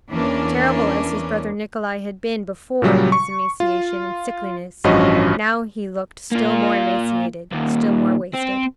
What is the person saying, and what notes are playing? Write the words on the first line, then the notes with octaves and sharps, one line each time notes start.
Terrible as his brother Nikolay had been before in his emaciation and sickliness, now he looked still more emaciated, still more wasted.
E2 E3 A#3 C#4 D4
A#2 C#3 F#3 G3
C#6
F4
A1 G2 F3 C#4 F#4 D#5
A#3 F4
D#2 A#2
C4